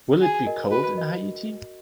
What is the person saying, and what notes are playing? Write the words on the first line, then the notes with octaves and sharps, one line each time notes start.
Will it be cold in Haiti?
F#4 G#4
A#4 D#5
F#4 B4
A#4 D#5